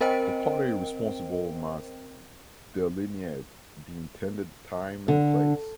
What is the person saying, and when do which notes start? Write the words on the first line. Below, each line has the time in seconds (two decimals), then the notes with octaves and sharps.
The party responsible must delineate the intended time and place.
0.01 C4 A#4 C5 D#5 G5 D7
5.08 D3